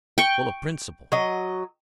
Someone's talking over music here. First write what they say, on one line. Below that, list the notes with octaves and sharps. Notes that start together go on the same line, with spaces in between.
Full of principle.
G5 C#6
F#3 D#5